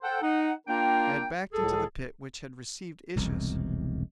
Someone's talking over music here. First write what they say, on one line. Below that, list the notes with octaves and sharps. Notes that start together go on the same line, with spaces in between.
I had backed into the pit which had received Issus.
A4 C5 F#5 G5
D#4 F#5
A#3 D4 F4 A#4 G5
C#2 A2 G#4 A4
E1 C2 F2